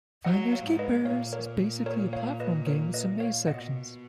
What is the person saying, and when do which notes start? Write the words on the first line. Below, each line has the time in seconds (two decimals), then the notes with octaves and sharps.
"Finders Keepers" is basically a platform game with some maze sections.
0.25 F#3 D#5 F#5
0.52 C#5 F5
0.65 G#2
0.79 B4 D#5
1.05 A#2 C#5 F5
1.33 A#4 C#5
1.86 A#4 C#5
2.13 C#5 F5
2.40 B4 D#5
2.67 A#4 C#5
2.94 B4 D#5
3.20 C#5 F5
3.47 B2 D#5 F#5